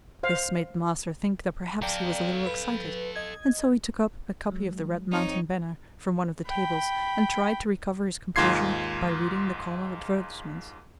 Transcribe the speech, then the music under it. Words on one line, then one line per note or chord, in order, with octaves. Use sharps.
This made the master think that perhaps he was a little excited, and so he took up a copy of the RED MOUNTAIN BANNER from one of the tables, and tried to recover his composure by reading the column of advertisements.
C5 F5
A4 D5 F5 G5 A#5
B4
D#5 G#6
F#3 G#3
F2 C4 D#4 C#5
G5 B5
D#2 G#2 F4 C6 G#6 C7